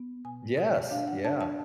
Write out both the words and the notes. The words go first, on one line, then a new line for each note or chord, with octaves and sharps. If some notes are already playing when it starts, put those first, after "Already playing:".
yes. Yeah.
Already playing: B3
B2 G#5
B2
D4 F5
F#5
D4 A5
A5